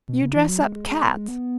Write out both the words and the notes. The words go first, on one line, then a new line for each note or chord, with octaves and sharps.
"You dress up cats."
B2
C#3
E3
F#3
G#3
G#3
G#3
B3
G#3
B3